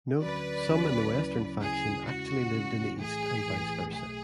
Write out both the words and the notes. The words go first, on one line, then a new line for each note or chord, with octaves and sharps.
Note, some in the "western" faction actually lived in the east, and vice versa.
D2 D3 F#3 C#4 F#4 B4 D5
D2 D3 F#3 C#4 F#4
D2 C#3 F#3 C#4 E4
D2 C#3 F#3 C#4 E4 G#4
E2 C#3 G#3 C#4 E4 F#4
E2 C#3 G#3 C#4 E4
B1 A2 E3 A3 G#4
B1 A2 E3 A3
B1 B2 A3 G#4